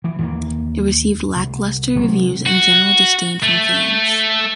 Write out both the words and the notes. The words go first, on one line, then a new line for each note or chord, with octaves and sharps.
It received lackluster reviews and general disdain from fans.
E3
D#2 E3 A#3
C2
C3 F#3 G#3
F#4
A3